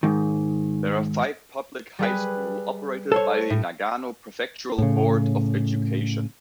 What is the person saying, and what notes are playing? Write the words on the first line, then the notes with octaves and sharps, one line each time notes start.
There are five public high school operated by the Nagano Prefectural Board of Education.
G#2 D#3
G3 G#4 B4
A4 C5 C#5
A2
A2 C#3